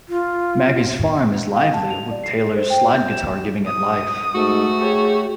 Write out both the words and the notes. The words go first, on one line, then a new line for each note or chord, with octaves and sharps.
Maggie's Farm is lively with Taylors slide guitar giving it life.
F4
F5
A5
F7
D5
C7
A4
C5
G5
G6
E7
D#6
G#2 A3 F#4
G4 G#4 C#5